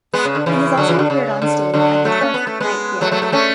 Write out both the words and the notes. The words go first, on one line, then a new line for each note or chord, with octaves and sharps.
He has also appeared on stage at the Twelfth Night Theatre.
G#3 B3
C#3
D3
C#3 E3
D3 F#3
C#3 E3
D3
C#3
D3
D3 F#3
F#3 A3
C#4
B3
A3
G#3 B3
F#3 A3
F#3 A3
F#3 A3
A3 C#4